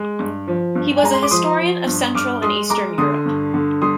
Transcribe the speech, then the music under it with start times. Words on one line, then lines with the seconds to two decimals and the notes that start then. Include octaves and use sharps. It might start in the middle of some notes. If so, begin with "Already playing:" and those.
He was a historian of Central and Eastern Europe.
Already playing: G#3
0.19 G2
0.48 F3
0.75 G2
0.97 G#5
1.03 G#3 A#5
1.14 C6
1.23 D6
1.31 F3 C6 D#6
1.59 F3
1.87 G2
2.15 G2 D6 F6
2.42 G#3 C6 D#6
2.70 G#3 A#5 D6
2.98 D3 C6 D#6
3.26 G2
3.54 D3
3.82 G3 C6 D#6